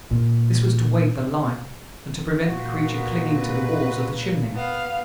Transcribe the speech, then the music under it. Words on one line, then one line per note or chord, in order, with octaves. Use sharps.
This was to weight the line and to prevent the creature clinging to the walls of the chimney.
A#2
A#2 F#4
B3
B4
B3 F5